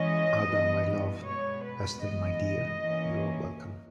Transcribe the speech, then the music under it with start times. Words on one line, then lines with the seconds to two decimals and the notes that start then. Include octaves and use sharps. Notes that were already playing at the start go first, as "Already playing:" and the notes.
Ada, my love, Esther, my dear, you are welcome.
Already playing: E3 G#3 C#4 D#5
0.45 E3 G3 B3
1.25 B2 G#3 B3 C#5
1.64 B4
2.02 E3 G#3 B3 D#5
2.83 E3 A#3 C#4